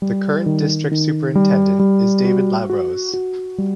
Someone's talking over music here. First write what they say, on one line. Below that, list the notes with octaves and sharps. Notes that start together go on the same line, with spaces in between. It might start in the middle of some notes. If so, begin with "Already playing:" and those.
The current district superintendent is David LaRose.
G3
D#3
D#3
G3
G3
F#4
F#4
F#4
G3